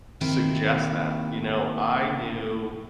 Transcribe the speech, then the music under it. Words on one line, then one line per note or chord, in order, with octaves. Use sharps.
suggest that, you know, I knew,
C3 D#3 A#3 E4